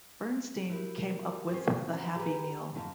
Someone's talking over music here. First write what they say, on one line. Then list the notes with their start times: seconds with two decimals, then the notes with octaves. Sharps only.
Bernstein came up with the Happy Meal.
0.70 E4 F#4 G4 A#4
1.51 C4 C#4 C5
1.94 F#5 A#5
2.16 G4 G#4 B4 A#5
2.75 F#2 D#3 F5 A5